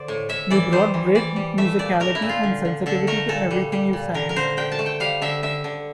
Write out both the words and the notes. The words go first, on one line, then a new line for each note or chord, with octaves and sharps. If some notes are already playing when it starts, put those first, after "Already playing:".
You brought great musicality and sensitivity to everything you sang.
Already playing: D3 C5 D5
A2
A2 E5
E3 D5
G3 C5
E3
E3 D5
G3
A3 E5
A#2 D5
A3 A#4
E4
A#2
F4
D3
D3
D3 A4
A3 A#4
A#2 A4
G3
G3
A#2
D3 A#4
A#4
D3 C5
D3 G5
A5
A3
G5
G3 F5
D3 E5
D3 E5
D3